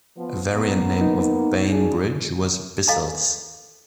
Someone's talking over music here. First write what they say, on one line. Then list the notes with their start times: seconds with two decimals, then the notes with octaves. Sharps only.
A variant name of Bainbridge was "Bissells".
0.17 F3 B3
0.55 A#3 B3
1.01 D#4
1.69 D4 F#4 G#4
2.88 A4 D#5 F5 G#5 A#5